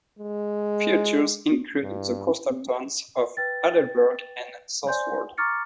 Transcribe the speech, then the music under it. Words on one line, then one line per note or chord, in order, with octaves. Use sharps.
Features include the coastal towns of Aldeburgh and Southwold.
G#3
G2
B4 G5 A6
C5 D5 G#5 C6 G6
A#5 C#6 D6 F6 A6 C#7